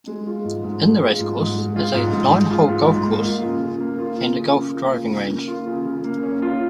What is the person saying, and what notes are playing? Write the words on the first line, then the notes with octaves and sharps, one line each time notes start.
In the racecourse is a nine-hole golf course and a golf driving range.
G#3
F4
G#2
G#2
G#3
F4
G#2
G#2
G#3
F4
G#2
G#2
G#3
F4
G#2
G#2
A#3
F4
C#3
C#3
A#3
F4
C#3
C#3
A#3
F4
C#3
C#3
A#3
F4
C#3
C#3
A#3
C#4
F4